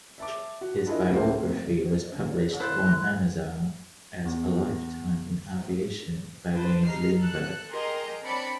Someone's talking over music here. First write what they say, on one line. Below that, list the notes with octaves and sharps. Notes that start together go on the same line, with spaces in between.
His biography was published on Amazon as "A Lifetime In Aviation" by Wayne Lundberg.
E5 A5 D6
F#4
D4 E4 F4 G#4 A#4 D#5
C#2 A#3 C5 E5 C6
A#3 C4
E4 A4 C5 C6 F#6
E2
D4 B4 C5
D#4 A#5 F6 C7
A4 F#6
G4 G#4 A#4 D#5 A#5 C6
C4 D4 C#5 D5 B5 C#7